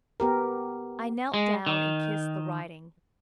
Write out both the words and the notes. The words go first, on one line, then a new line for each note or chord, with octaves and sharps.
I knelt down and kissed the writing.
B3 G4 A#4
G#3
D#3